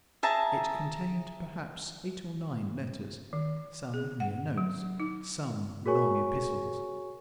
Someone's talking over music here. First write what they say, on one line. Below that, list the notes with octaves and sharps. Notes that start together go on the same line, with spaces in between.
It contained, perhaps, eight or nine letters,--some mere notes, some long epistles.
G#4 E5 A5 A#5
D#3
G#4
F#5
F#3
D#4
F#4 G#4 A#4 C#5 G#5 C#6